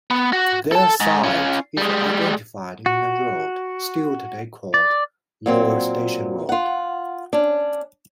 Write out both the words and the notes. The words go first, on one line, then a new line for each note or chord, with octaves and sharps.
Their site is identified in a road still today called Lower Station Road.
B3
F#4
A4 A5
G#2
C#4 F4
G3 G#3
F#4
D5
A#2 F#3 C4
F4 F#5
C#4 D4